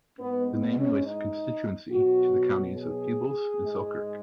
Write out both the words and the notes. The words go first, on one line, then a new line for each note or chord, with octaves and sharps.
The name relates the constituency to the counties of Peebles and Selkirk.
G#2 G#3 B3
B3
C#4
D#4
B2 F#3 F#4
G#4
G#2 G#3